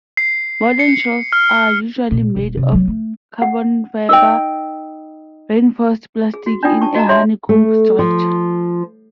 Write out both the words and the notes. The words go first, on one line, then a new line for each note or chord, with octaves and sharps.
Modern shells are usually made of carbon-fibre reinforced plastic in a honeycomb structure.
C7
C#7
F6
A#2
E1
C3
F#3 G#3
A3
F#5
D#4 B4 G5 E6
G#4
F#4
D4 D#4 F4 D5 G5 D#6
A5 C#6
F#4 D#5 A5 A#5
G4 G#4 C#5 E5 C6
A3
F3